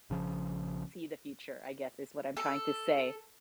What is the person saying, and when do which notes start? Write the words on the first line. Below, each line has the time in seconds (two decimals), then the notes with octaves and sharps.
see the future, I guess is what I'm trying to say.
0.10 A#1 C#3 F3
2.37 A4